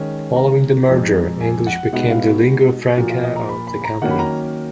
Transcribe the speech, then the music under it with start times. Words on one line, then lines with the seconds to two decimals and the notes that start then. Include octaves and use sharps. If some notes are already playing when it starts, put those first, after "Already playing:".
Following the merger, English became the lingua franca of the company.
Already playing: D#3 G#3 C#4
0.36 A#5
0.89 F2 F3 G#3
1.40 G#5
1.67 F#5
1.93 B2 G#3 B3 D#4 F#5
2.10 F5
2.27 F#4
2.97 A#2 F3 A#3 F#4
3.10 F4
3.24 D#5
3.36 A#5
3.49 B5
3.67 B5
3.84 A#5
4.02 D#3 F#3 A#3 C#4 F#5
4.10 B5
4.19 A#5